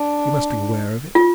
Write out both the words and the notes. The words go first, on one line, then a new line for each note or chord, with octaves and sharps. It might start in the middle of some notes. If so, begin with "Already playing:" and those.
You must be aware of it.
Already playing: D4
F4